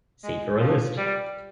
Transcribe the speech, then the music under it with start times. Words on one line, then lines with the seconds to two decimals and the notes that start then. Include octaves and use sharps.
See for a list.
0.24 G#3
0.60 F3
0.97 G3